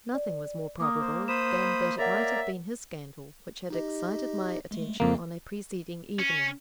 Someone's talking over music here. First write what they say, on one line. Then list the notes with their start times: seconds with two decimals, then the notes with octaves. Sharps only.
Nothing was more probable than that it might have been his candle which had excited my attention on a preceding evening.
0.14 D5
0.80 A#3 D6 D#6
1.00 C5
1.28 C5 B5 D#6 E7
1.98 A#3 A#4 C#5 D5 E5 F#5 A#5
3.70 D#4 G4 D#5
4.71 G#3 A3
5.00 F2 C#3 G#3 A#3 C4
6.19 C#4